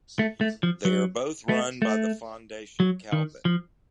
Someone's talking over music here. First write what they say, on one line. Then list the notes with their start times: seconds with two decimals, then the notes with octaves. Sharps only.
They are both run by the Fondation Calvet.
0.19 A3
0.41 A3
0.63 F3
0.85 F#3
1.49 A3
1.82 A3
2.80 F#3
3.12 D#3
3.45 F3